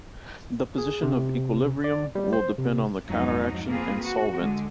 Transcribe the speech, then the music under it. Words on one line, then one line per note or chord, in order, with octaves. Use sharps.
The position of the equilibrium will depend on the countercation and solvent.
G#4
C3
D5
G3
C5
C3
F2 G#2 F#3 D#4
A#3 C4 F4 G#4 B4
F#4
D3 G#3